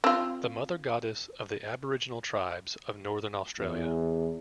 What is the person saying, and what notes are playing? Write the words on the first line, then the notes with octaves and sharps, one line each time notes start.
The mother goddess of the aboriginal tribes of northern Australia.
C4 F4
E2